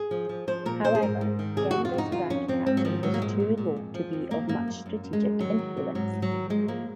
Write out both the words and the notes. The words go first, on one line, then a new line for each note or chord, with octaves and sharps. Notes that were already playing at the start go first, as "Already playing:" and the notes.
However, Genda's rank-captain-was too low to be of much strategic influence.
Already playing: G#4
F3
F3
F3 C5
A#2 A#4
A#2 C5
G#4
G#2 A#4
G#2
D#3
C3 G#4
F2 F#4
F4
C3 D#4
D#3 F4
F2 C#4
F2 C4
G#2 C4
F#3
D#3 F3
G#2 F#3
A#3
A#2 G#3
A#2
A#2
F2
F3
F2
D#3 A#3
F#2 A#3
F#2
F#2
F#2
G#3
F#2
D#3 F#3
D#3
C3
G#2 F#3
G#2
F#3
D#3
F3 G#3
F3 A#3